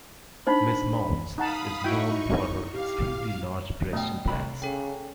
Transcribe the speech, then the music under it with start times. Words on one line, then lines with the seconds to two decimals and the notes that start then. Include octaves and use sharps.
Ms. Mounds is known for her extremely large breast implants.
0.47 D4 D#4 C5 B5
1.38 D#4 F5 F#5 A5 B5 D#6
1.84 D#4 E4 F#4 G5 C#6
2.73 G4 F5
3.93 B2 A3 G5
4.28 C2 B5
4.62 C#3 A4 G5